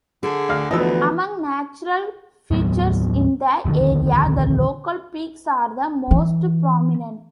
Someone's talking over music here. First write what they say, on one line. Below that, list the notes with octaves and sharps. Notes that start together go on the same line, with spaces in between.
Among natural features in the area, the local peaks are the most prominent.
D3 G#4
D2 F5 F6
D2 E3 F3 B3 D#5 A5 E6
D#2 A2 F#3 B3
D#1 A#1 D3 D#3
E3